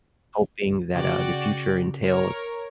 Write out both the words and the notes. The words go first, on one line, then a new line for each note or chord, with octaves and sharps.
hoping that, uh, the future entails,
C#3 F#4 D5 G5
A#4 C#5